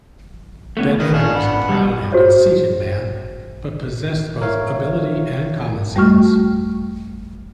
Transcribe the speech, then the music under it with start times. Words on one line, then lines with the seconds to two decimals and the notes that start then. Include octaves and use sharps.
Bedford was a proud and conceited man, but possessed both ability and common-sense.
0.77 A3 B3 C#4
1.00 D#3 A#4 B4 D#5
1.13 C#4 D4 F4
1.35 F#5 B5
1.69 G3
2.12 F#4 G#4 C5 C#5
4.42 A#4 C#5 E5 F5
5.95 F2 G3 A3 F#4 C#6 F6